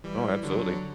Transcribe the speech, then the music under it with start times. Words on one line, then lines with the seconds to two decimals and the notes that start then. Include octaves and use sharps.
Oh, absolutely.
0.04 E3 G3
0.43 D3 F#3